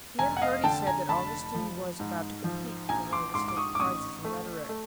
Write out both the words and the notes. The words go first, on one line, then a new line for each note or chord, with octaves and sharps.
He had heard, he said, that Augustine was about to compete for one of the State prizes in rhetoric.
F1 G#5 A#5
F#5
D#5 F5
D3 G5 A5
G#5 A#5
F1 A5 B5
F3
G#2
F3
A#1 G#5 A#5
C6 D6
G#2 C6 D6
D6
C#6 D#6
D6
A1 C#6 D#6
A3
A3